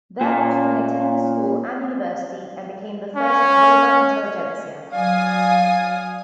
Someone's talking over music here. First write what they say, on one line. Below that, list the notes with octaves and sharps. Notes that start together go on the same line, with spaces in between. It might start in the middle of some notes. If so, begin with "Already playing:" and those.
Their offspring attended school and university and became the first Roma-intelligentsia.
A#2 C#4
C#4
F#3 D5 F5 G#5 D#6